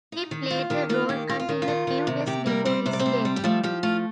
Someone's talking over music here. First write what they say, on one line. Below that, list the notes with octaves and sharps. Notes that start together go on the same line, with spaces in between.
He played the role until a few days before his death.
D#4
D#3
F4
D#3 G4
A#3 F4
D#3 G4
F4 G4
F4
D#3
F4
D#3
D#3
C3
C3 G4
G3 A#3 A#4
G3 C4 C5
C3 C5
D5
C4 C5
G3
G3
G4
F3 A3 A4
F3 G4
A3 F4